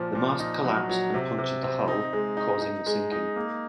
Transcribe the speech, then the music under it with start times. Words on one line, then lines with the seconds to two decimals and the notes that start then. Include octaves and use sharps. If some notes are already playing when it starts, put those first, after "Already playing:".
The mast collapsed and punctured the hull, causing the sinking.
Already playing: A#2 F3
0.15 A#2
0.39 D#4
0.65 F#3
0.89 F#3
1.14 C3
1.38 C3
1.63 C4
1.88 D#4
2.13 G#3
2.37 D#4
2.62 D#4
2.87 G#3
3.12 D#4
3.36 A#3